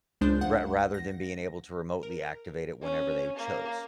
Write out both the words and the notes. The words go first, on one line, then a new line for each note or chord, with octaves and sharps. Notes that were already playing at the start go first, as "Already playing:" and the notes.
R rather than being able to remotely activate it whenever they chose.
C#2 G#3 D4 C5 G6
F5 F#5
A#6
A#4
C#4
A#3